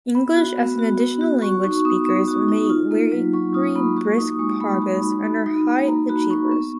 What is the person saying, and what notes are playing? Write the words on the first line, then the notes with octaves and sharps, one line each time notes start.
English as an additional language speakers make very brisk progress and are high achievers.
B3 B5
F#4
B3
F#4
B3
F#4
F#4 C#6
D#4 C#6
B3 D#6
B3
F#4
D#4
F4
A#3
F#3
F#3 C#6
F4 D#6
A#3 B5
F#4 C#6
D#4 D#6
D#6
G#3 C#6
G#3 B5
F#4 B5
D#4 B5
F#4
D#4
A#3
A#3 A#5
F#4 B5
D#4 C#6
B3